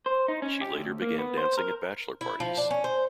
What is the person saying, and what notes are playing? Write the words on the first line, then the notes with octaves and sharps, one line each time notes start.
She later began dancing at bachelor parties.
C5
D#4
C#4
G4
D2
A#3
B3
C5
A#4
E4
F3
D4
C#4
C5